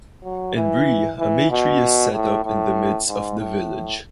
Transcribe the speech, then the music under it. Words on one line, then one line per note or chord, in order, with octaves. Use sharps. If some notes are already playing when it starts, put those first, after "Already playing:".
In Brie a May-tree is set up in the midst of the village.
F#3
E3
E3
B2
A2
A2
G#2
A2